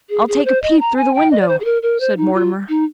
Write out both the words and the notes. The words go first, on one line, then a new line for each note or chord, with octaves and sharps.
'I'll take a peep through the window,' said Mortimer.
G#4
G#4
C5
D#5
A#5
G#5
G5
D#5
D5
C5
G#4
A#4
A#4
C5
D#4
F4
D#4